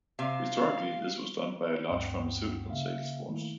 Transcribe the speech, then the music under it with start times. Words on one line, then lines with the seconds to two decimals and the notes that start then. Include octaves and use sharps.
Historically, this was done by a large pharmaceutical sales force.
0.19 C3 F5
1.88 D2 G2 C4 F#5 G5 D#6
2.70 C#3 A#3 E5 F5
3.28 D#3 A3 A#3 E4